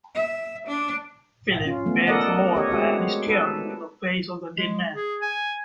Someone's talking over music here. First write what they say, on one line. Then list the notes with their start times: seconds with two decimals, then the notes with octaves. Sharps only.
Philip bent lower, and stared into the face of the dead man.
0.15 E5
0.68 D4
1.65 C#4 F4
1.86 A3 B3
2.07 A4 A#4 D5 D#5 F#5
2.55 G4 C#5 D#5
2.70 G#3 C4 F#4 G#4
3.27 D#4 A4 B4
4.57 G#3
4.95 G#4
5.22 G#5